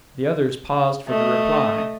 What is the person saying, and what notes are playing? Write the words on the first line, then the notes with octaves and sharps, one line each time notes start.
The others paused for the reply.
A3 D#5